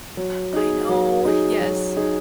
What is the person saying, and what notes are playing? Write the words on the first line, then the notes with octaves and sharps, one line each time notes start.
I know, yes.
F#3
D#4 G#4
F#3
D#4 G#4
F#3
D#4 G#4